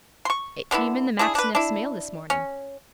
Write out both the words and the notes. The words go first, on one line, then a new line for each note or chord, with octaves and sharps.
'It came in the Maxineffs' mail this morning.
C6 C#6
D3 B3 D4 E4
D4 E4 G#4
D4 B4
D4 E4
C#4